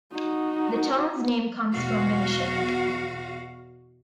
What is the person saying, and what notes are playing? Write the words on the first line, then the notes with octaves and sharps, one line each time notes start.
The town's name comes from the mission.
D#4 F#4
E2 B2 F#4 F5